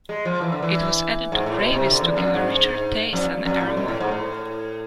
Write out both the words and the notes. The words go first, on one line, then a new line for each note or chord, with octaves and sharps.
It was added to gravies to give a richer taste and aroma.
G#3
F3
E3
D3
E3
G#2
A2
B2
C3
D3
E2
F2
G#2
F2
F2
A2
B2
A2
G#2
A2